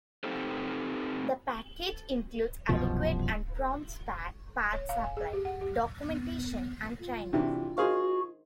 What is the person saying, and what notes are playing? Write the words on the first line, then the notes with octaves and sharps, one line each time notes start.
The package includes adequate and prompt spare parts supply, documentation and training.
C4 D#4 G4 A4 C5
C2 F#2 B2 F3
C#5
F5
G#5
G#4
G4
F#5
G4
B3
F4
C3 E3 D4 E4 F#4
D#4 F#4 G#4 A#4 C5 F5